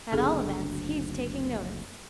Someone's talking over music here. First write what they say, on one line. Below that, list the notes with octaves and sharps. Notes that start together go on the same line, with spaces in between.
"At all events, he's taking notice."
F#1 D2 D3 B3 G#4 A4